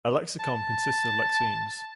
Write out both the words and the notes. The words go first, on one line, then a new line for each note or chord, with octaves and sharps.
A lexicon consists of lexemes.
A5